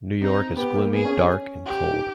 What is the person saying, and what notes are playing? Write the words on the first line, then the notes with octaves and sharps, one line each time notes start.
New York is gloomy, dark and cold.
C4 D#4
B3 G4
A#3
B3 G#4
C#4
C#4
G4
D#4